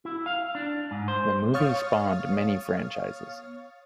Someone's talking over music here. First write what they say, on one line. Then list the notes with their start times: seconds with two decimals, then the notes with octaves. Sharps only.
The movie spawned many franchises.
0.05 E4
0.26 F5
0.55 D4
0.91 G#2
1.08 C5
1.54 C#5 F5 C#6 D#6 F6 A6